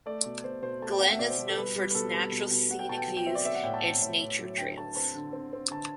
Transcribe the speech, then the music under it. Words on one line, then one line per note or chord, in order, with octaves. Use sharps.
Glen is known for its natural scenic views and its nature trails.
A3 D5
B2
B2 C5
B2 C5
A3 A5
G5
C4 F#5
E5
B2 D5
C5
B2
A4
G3 B4
G3
B4
B2 A4
G3 B4
B2
B2
B2 F#5
G5
B2 A5
G5
F#3
G5
C4 E5
D5
C4 E5
F#5
A2 G5
A5
C4
A2
A2
F#3
D3 G5
D3 A5
C4 A5
D3
C4
C4
D3 A5